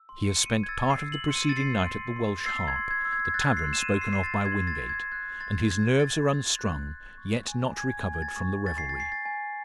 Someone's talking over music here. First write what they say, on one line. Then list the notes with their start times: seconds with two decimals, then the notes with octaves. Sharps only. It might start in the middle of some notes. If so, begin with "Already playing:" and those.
He has spent part of the preceding night at the Welsh Harp-- the tavern spoken of by Wingate--and his nerves are unstrung, yet not recovered from the revelry.
Already playing: E6
0.09 C6
0.25 C#7
0.40 C6 C#7
0.46 D#7
0.63 G#6
0.69 E6 A6
0.82 A6
0.90 C7
0.98 E6
1.12 F#7
1.28 C6 C#7
1.36 D#7
1.49 A6
1.57 C6 C7
1.86 C6
2.16 C6
2.40 A6
2.46 E6 C7
2.68 G#6
2.76 C6
2.91 G#6
3.05 E6
3.13 G#6
3.25 G#6
3.34 F#6 A6
3.57 C7
3.64 C6
3.73 E7
3.79 D#7
3.94 C6
4.01 C7
4.13 C7
4.23 C6 A6
4.46 G#6
4.52 C6
4.67 A6
4.82 C6
4.89 G#6
5.12 F#6 G#6
5.40 C6 A6
5.70 F#6 G#6
6.00 C6 A6
6.30 C6
6.59 F#6
6.89 F#6
7.18 C#6
7.48 G#5
7.77 G#5 G#6
8.06 G#5
8.14 G#6
8.22 A6
8.36 C#6
8.66 G#5 A6
8.78 C7
8.89 A6
8.96 G#5 C7
9.12 A6
9.26 G#5